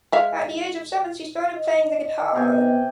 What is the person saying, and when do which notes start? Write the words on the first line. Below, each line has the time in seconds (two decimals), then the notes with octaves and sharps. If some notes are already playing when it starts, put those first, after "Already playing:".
At the age of seven she started playing the guitar.
0.12 G#3 E5 F5
1.56 D#5
2.35 C3 B3 G5 G#5